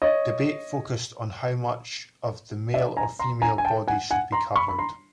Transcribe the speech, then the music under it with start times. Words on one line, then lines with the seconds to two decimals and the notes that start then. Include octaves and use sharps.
Debate focused on how much of the male or female body should be covered.
0.02 C#5 D#5
2.74 D5 E5
2.97 G#5 A#5
3.19 A#5 C6
3.42 G#5 A#5
3.58 G#5
3.65 G5 A5
3.88 F#5 G#5
4.11 F#5 G#5
4.32 A#5 C6
4.56 B5 C#6
4.68 B5
4.79 A#5 C6